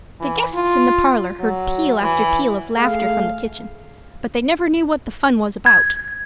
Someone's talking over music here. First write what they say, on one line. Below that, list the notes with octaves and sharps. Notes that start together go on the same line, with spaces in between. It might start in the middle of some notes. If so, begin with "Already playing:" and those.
The guests in the parlor heard peal after peal of laughter from the kitchen, but they never knew what the fun was about.
E3
F4
F#3
E3
A3 G#4 F5
G#6